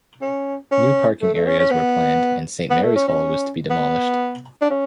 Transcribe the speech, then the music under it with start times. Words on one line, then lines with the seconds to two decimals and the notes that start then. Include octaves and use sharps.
New parking areas were planned and Saint Mary's Hall was to be demolished.
0.22 C#4
0.72 C#4
1.22 A3
1.34 A3
1.47 C#4
1.59 C#4
1.71 B3
2.70 B3
2.83 A3
2.96 C#4
3.08 C#4
3.70 B3
4.62 D4
4.70 C#4